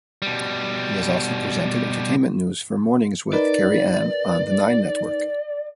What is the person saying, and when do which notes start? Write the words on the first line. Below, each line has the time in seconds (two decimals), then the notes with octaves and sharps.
He has also presented entertainment news for Mornings with Kerri-Anne on the Nine Network.
0.22 B2 G3
3.33 D#4 A#4 B4 D5